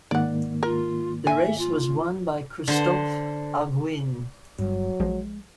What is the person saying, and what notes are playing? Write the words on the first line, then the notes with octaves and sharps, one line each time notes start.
The race was won by Christophe Auguin.
G#2 D#3 A#3 D5 F#5
F4 A#4
E5 G#5
F4
D3 C5
G1 G2 F#3
A#1 F3 G#3